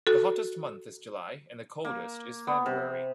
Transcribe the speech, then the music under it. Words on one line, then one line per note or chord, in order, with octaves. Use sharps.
The hottest month is July and the coldest is February.
F#4 A4
A#3
B3
C3